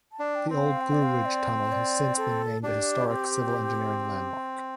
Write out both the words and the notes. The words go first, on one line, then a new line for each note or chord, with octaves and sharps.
The old Blue Ridge Tunnel has since been named a Historic Civil Engineering Landmark.
A5
D4
G5
C4
F5
G5
D5
F5
D5
C5
D5
A4
D4 G4
C4